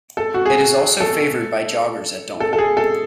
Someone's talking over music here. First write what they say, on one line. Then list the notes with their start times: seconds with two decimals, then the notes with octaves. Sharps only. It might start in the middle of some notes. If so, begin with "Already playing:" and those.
It is also favoured by joggers at dawn.
0.17 A4
0.34 F#4
0.46 G#4
1.00 A4
2.40 A4
2.53 A4
2.58 G#4
2.77 A4